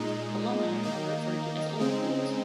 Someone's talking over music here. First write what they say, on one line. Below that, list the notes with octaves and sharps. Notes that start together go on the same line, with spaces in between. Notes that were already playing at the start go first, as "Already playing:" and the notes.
Alumni are referred to as "Old Boys".
Already playing: A#2 G#3 D#4
D#3 A#3 D#4
C#3 G#3 C4 D#4